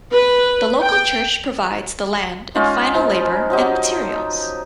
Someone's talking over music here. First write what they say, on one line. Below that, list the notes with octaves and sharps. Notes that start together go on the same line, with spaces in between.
The local church provides the land and final labor and materials.
B4
G5
G#3 C#4 D#4 F4
F3 G#3 B5
F3 F#3 D#4 G4